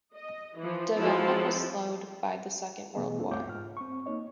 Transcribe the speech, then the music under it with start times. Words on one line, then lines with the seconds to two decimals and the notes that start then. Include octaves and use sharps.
Development was slowed by the Second World War.
0.15 D#5
0.59 E3 F3
0.96 F3 F#3 G#3 E4 A5
2.95 B2 E3 A3 B3 G#4 D#5
3.19 D#2 A#3 C4 D4 F4 A4
3.31 C#2 G2 A3 C#5 D6 G6
3.48 G#2 F4 F6
3.77 C4 C#6
4.06 A#3 D#4 C#5 D#5